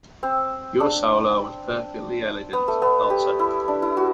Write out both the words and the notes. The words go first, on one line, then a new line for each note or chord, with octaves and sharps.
Your solo was perfectly elegant, Elsa.
C4
D4
B3
A3
B3
G4
E4
D4
E4
F#4